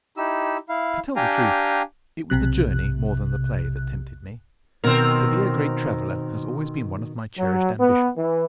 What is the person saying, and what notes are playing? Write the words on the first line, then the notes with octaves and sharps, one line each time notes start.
To tell the truth, it was the journey more than the play that tempted me. To be a great traveller has always been one of my cherished ambitions.
D#4 E4 G4 E6
E4 F5
D4 G4 F5 G5 G#5 A#5
B1 C3 F#6
B2 D#3 C4 A#4
F#3
B3
E3